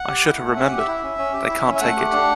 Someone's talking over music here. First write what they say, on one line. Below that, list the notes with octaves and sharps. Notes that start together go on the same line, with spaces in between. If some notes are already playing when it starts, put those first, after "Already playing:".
I should have remembered, they can't take it.
Already playing: F#5
G4
E4
A3
C#4 E5
G4 F#5
E5
E4
C#4
C#4
G4
E4
C#4
E5
A3 F#5
G4
D4